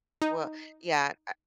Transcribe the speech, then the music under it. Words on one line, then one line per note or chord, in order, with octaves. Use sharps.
Well, yeah. Eh,
D#4